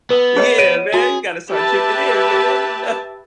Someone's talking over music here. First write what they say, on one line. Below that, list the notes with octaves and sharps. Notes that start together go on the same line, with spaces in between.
Yeah, man, you gotta start chipping in, man you kno
B3 B4
G#4 C#5 D#5
C#5 D7 D#7
F#4 G#4
G4 B4 E5 A5